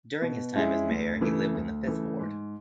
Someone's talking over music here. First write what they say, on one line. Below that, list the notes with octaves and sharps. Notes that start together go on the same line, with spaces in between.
During his time as mayor he lived in the Fifth Ward.
B2
G#3 C#4 E4 G#4
D2
C#3 E3 A3
D2
C#3 E3 A3
G#2